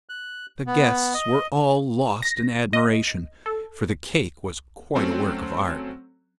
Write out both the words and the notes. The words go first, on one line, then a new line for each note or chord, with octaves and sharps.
The guests were all lost in admiration, for the cake was quite a work of art.
F#6
B3
D#5
A#6
D#5
A4
F#3 A3 C4 C#4